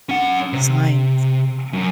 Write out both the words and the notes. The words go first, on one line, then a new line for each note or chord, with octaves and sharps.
The signs.
C#4 F#5
C3
F#2